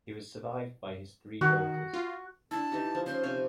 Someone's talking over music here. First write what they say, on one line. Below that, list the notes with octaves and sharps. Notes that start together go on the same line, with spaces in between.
He was survived by his three daughters.
D#3 F#4
F4
D4 E4 A5
E3 D#4 G4
F3
C#3 C5 C6
C3 C#5 G#5